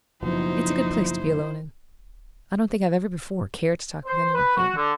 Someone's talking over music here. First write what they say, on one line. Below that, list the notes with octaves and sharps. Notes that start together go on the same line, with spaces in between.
"It's a good place to be alone in--I don't think I've ever before cared to talk with any one here."
F#1 B2 F3 D#4 E4 C5
C5
B4
F#4
D3